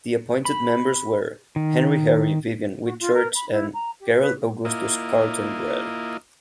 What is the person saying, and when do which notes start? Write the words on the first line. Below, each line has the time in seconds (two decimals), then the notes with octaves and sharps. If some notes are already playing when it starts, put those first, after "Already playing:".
The appointed members were Henry Harry Vivian Whitchurch and Gerald Augustus Carlton Grell.
0.45 B5
1.56 D#3
2.83 F#4
3.01 F4
3.15 A#4
3.35 B5
3.52 E4
3.74 A#5
4.00 G4
4.19 B4
4.65 A#3 E4 F4 D#5